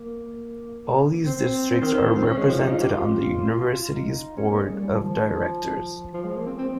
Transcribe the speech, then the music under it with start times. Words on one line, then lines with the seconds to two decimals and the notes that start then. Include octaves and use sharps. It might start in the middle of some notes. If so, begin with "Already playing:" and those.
All these districts are represented on the University's Board of Directors.
Already playing: A#3
1.26 C4
1.71 C4
1.82 D#3
1.93 D#3
2.05 F3
2.15 C4
2.26 C#4
2.38 G#3
2.48 F3
2.60 D#4
2.71 F4
2.82 G4
2.93 F4
3.93 D#4
4.37 C#4
4.48 A#3
4.59 G#3
4.70 G3
4.81 G3
4.93 F3
5.03 D#3
5.14 F3
6.14 F3
6.25 G#3
6.36 A#3
6.46 C4
6.59 C4